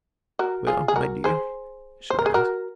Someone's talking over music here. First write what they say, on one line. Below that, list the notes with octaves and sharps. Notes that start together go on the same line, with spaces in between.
"Well, my dear?" she asked.
F#4 A#4
F4 G#4
G#4
F#4 A#4
G#4 C5
C5
A#4
G#4
F#4 A#4